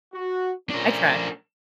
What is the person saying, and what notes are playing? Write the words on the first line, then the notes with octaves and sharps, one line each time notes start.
I try.
F#4
F3 A3 C#4 D4 A#4